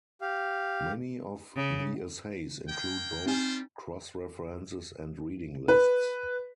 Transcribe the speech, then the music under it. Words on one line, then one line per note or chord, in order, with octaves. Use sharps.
Many of the essays include both cross-references and reading lists.
G4 F5
C#3
A#3 G5
G3 C4 D#4 F4 C5 G#5
B4